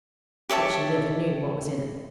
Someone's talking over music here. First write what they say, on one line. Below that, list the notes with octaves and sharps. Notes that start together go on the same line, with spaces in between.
But she never knew what was in it.
G4 C#5 E5 A5